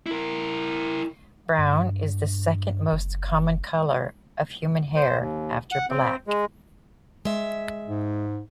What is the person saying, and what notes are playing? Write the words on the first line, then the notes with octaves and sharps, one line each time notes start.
Brown is the second most common color of human hair, after black.
E4 A#4
G2
F#1
C5
D#2
F#5
C4
G#3
G#3 E5
G#2